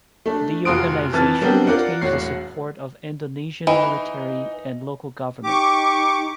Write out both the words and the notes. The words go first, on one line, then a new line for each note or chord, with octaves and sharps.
The organization retains the support of Indonesian military and local government.
A3 D4
F1 F4 F#4 C6 D#6 D7
F2 E3 A5 F6 A6
G3 B3 C4 D4 A#4
F4 A#4 D5 F#5
E1 A2 F#4 C#5 C7
E3 D#4
D#4 G4 C#6 D6